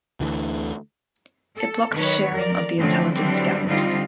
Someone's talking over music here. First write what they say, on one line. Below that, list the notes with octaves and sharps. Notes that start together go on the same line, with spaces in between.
It blocked sharing of the intelligence gathered.
D2 D3 E3 A3
A4
D#3 F#3 B4 C#5
F2 A#4 D5
D3 F3 A3 C4 C#4
D3 E3 F#3 G3 C4 D4
D3 G3 C4 D#4 F4